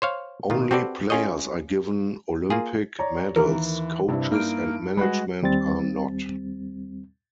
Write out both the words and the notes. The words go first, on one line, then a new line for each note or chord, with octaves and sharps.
Only players are given Olympic medals; coaches and management are not.
C5 C#5 F5
A#2 D#3 F4
C4 F#4 G4 A4 B4 D5
C#4 F4 G#4 C#5 D#5
A#3 F4 G#4
C#5 D5 A#5
D#2 E3 A#4
G2 C3 E4
A#3 D#4 F6 D7
G3 G#3 F#4 B4
D#2 G3 C4 A6